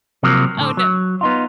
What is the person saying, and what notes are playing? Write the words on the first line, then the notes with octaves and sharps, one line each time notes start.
Oh, no.
C3 F3 F#3 A#3
A2 D3
F#3
B3 D#4 F4